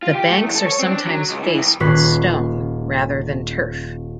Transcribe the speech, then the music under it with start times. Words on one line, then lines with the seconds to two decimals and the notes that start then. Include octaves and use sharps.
The banks are sometimes faced with stone rather than turf.
0.03 F4
0.15 G4
0.30 A3
0.43 E2
0.55 A4
0.67 C#5
0.79 C4
0.91 D4
1.07 F#3
1.30 C#2
1.43 E3
1.57 C2
1.80 D#1 C#4 B4 C7